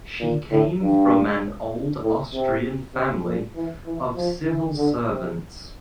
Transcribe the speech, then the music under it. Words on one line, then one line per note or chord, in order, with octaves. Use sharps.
She came from an old Austrian family of civil servants.
A#2
A2
G2
A2
C3
C3
A#2
E3
E3
F3
E3
D3
C3